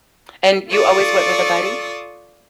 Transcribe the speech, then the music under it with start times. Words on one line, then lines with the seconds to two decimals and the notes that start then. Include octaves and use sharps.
And you always went with a buddy?
0.69 F4 A4 D5 C#6 D#6